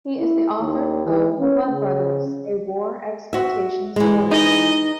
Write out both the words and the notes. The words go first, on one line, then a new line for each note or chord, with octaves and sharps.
He is the author of "The Blood Brothers", a war exploitation story.
E4
D#2
E3
C#4
C#3
F#4 E5
E3 G#3
D#4 D#5